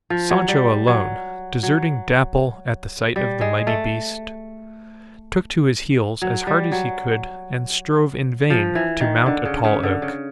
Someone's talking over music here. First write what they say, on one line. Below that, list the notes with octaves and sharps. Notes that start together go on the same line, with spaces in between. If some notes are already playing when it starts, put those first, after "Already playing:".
Sancho alone, deserting Dapple at the sight of the mighty beast, took to his heels as hard as he could and strove in vain to mount a tall oak.
F3
F#3
G3
F#3
F#3
G3
G#3
A3
F#3
G3
F#3
F3
E3
D#3
D3
C#3
C#3
D3
C#3